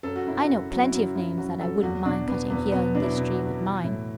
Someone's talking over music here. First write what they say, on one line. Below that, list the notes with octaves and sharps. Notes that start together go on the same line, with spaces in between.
"I know plenty of names that I wouldn't mind cutting here in this tree with mine."
F#2 A4
F#4
F#2 E4
F#4
F#2
F#3
E4
F#2 F#4
F#2 E4
F#3 F#4
F#3 A4
E2 F#4
B2 D4
B2 B3
E2 B3
B2 B3
F#3 D4
E4
B2
F#4
F#3
E3
A2 E4